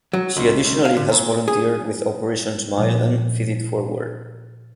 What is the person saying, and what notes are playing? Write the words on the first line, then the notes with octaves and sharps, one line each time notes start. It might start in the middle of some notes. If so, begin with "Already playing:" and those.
She additionally has volunteered with Operation Smile and Feed it Forward.
F#3
C#2
C#2
F5
D3
A#2
G#4
A#2 F3